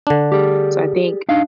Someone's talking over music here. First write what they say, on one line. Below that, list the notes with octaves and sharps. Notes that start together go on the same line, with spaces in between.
So, I think
D3 D4
G4 G#4 D5
D4 D#4 F5